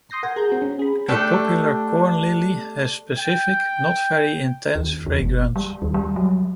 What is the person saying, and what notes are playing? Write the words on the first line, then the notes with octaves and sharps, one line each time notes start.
The popular corn lily has specific, not very intense fragrance.
C6 D#6 G6 A#6 C7
A#4 F#5 G#5 A#6
G#4 A#5 G6
C4 F#4
C#4
G#4 B5
A3 D4 G4 A4
G5
D#2
E2
F#1
G3
D#2
G3
F#3